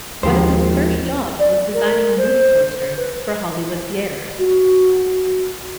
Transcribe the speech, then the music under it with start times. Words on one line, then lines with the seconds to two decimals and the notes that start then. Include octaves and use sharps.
One of his first jobs was designing movie posters for Hollywood theaters.
0.23 G#1 D#2 D#3 F3 G4 C5
1.39 D5
1.74 A#4
2.17 C5
2.97 B4
4.40 F#4